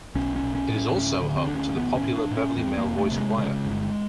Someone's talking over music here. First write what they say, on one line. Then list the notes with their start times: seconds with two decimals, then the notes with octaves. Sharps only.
It is also home to the popular Beverley Male Voice Choir.
0.15 B1 C#4
0.36 C#4
0.42 B1
0.55 C#4
0.69 A2
0.76 C#4
0.89 C4
0.96 D2 C#4
1.22 D3
1.37 C4
1.47 D2 D4
1.56 C#4
1.76 A1 B3
1.97 C#4
2.03 A2
2.17 D4
2.31 A2
2.37 C#4
2.57 E2 C4
2.78 A#3
2.84 E1
2.98 A3
3.12 C3
3.18 G#3
3.38 C#3
3.65 G1